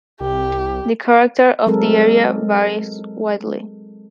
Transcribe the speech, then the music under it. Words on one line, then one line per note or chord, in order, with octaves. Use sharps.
The character of the area varies widely.
C2 G4
F#3 G#3 C4 A4 A#4